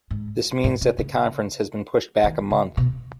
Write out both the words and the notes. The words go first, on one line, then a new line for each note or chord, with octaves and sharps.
This means that the conference has been pushed back a month.
G#2
A2
C#3
C#3
D#3
C#3
B2